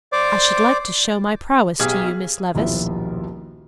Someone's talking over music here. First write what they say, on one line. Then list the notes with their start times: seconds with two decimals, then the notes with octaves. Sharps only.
"I should like to show my prowess to you, Miss Levice."
0.13 C5 D5 D6
1.80 B1 G4 G#4 F6
2.55 D#1 B1 F3 E4 F4 E5